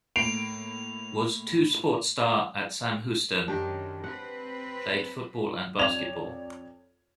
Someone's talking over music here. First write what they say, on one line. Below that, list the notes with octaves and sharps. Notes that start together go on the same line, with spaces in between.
Was two sport star at Sam Houston played football and basketball.
A2 A#3 C7 D7 F7
F#2 D#3 D4 G4
C4 B4 F#5
F2 C#5 D5 G#6 E7 F7